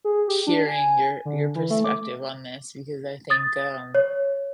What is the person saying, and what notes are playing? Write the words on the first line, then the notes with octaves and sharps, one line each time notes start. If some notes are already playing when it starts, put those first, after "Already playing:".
hearing your your perspective on this because I think, um,
G#4
G4
D4
G#5
D3
E3
A3
D6
D#6 A6
C#5